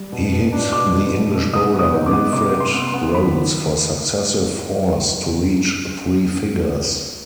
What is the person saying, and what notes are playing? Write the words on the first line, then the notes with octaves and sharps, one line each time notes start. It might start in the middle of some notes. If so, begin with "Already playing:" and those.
He hit the English bowler Wilfred Rhodes for successive fours to reach three figures.
Already playing: G3
B2
B2
D4
B2 D6
G3
B2
B2
C3 D#6
B3
D#6
D#4
D6
B3
C3 D6
B3
C6
B3
C6
B3
D#3 B5
D#3